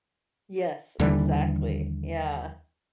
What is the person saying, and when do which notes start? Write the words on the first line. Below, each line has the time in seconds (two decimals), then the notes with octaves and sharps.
Yes, exactly. Yeah.
1.00 D#2 D3 E3 G3